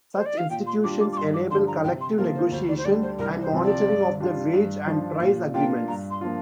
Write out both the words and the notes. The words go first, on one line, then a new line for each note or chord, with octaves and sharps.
Such institutions enable collective negotiation and monitoring of the wage and price agreements.
C5
D5
F5
A#2 G5
C6
G3 D4 F4 D6
D6
D6
G2 C6
D6
D3 F3 C6
A#5
C3 G5
C6
F3 A#3 F4 A#4
C5
D2 C5
D5
C5
D3 G3 D4 D5
C5
C2 A#4
C5
C3 F3 C4 F4
D5
G2
G3 D4 F4
G2
F3 D4 F4
A#2 F5
A#3 D4 F4 G5
G2 A#5
C6
F3 A#3 D4 F4